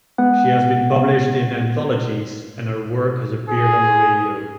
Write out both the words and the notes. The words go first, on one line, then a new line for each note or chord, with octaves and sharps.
She has been published in anthologies and her work has appeared on the radio.
G#3 B3 F#5
G#4